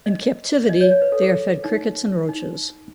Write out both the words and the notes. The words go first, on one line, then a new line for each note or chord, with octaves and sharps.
In captivity they are fed crickets and roaches.
D#5
D#5
C#5
C#5
B4
A4
G#4
D#4
D#4